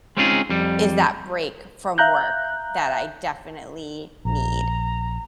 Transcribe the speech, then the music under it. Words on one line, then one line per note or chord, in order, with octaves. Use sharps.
is that break from work that I definitely need.
G#3 C4 C#4 D#4 F4 G#4
F2 G3
E5 F5 A#5 F#6 G6
A#1 A#5